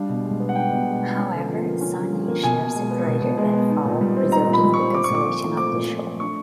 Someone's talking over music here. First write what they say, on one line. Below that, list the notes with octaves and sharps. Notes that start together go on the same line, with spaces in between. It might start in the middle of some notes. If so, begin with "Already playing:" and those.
However, Sonny and Cher separated that fall, resulting in the cancellation of the show.
Already playing: G3 D4 F5
B2
G#3
B3
F#5
D4 G5
B2
G#3
B3
C#4
D3
F3
A#3
C#4
D3
F3
A#3
B2 G#5
B2
G#3
B3
B2
B2
G#3
B3
D#4
A#2
G3
C4
D#4 A#5
A#2
B5
G3
C#6
C4
C4 D6
C#6
A#2 D6
F3
A3
C4 D6
A#2
F3
A3
D4 C#6